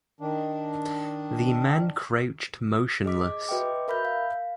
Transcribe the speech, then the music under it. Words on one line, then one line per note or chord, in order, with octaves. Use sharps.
The man crouched motionless.
D#3 D4
G#4 D#5 D6 B6
F#4 B4 D#5 E5 G5 D6
A#4 E5 B5 F6 G6
F5